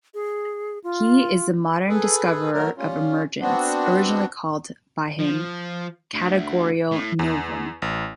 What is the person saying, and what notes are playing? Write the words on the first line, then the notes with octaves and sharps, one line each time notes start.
He is the modern discoverer of emergence - originally called by him "categorial novum".
G#4
F4
G#4 A4 B4
F#3 A3 A#4
G3 C#4 F4
B3 C4 D4 F#4
F3
D2
A2
E2
A1